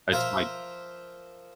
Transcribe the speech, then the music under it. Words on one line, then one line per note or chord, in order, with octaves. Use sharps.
that's my
F3 A#4 C5 E5